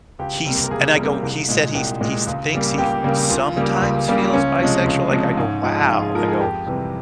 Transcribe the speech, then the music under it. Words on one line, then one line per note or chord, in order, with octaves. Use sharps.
"He's" And I go, "He said he's he's thinks he f sometimes feels bisexual?" Like I go, "Wow," I go,
C#2 G4
C3 G3 A#3
A#4
C#2 G#4
C3 G3 A#3
C2
A#2 G#3
C2 G4
A#2 G#3
C#2
C#3 G3 A#3
C#2 G4
C#3 G3 A#3
C#2 F4
C#3 G3 A#3
C#2
C#3 G3 A#3
C#2 C#4
C3 F3 G#3
C#2
C3 F3 G#3
G#2
F3 G#3
G#2 F4
G#4
F3 G#3 A#4
G#4
F2 G4
C3 E3 G3